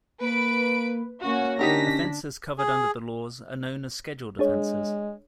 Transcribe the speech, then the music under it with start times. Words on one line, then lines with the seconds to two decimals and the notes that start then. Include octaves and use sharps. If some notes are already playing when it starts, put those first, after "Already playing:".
Offences covered under the laws are known as "scheduled offences".
0.20 A#3 B4 D7
1.23 A#3 C#4 F#4
1.59 D3 D4 D#4 G4 A#4 A#6 B6
2.58 G#4
4.39 G#3 D4 G#4 C#5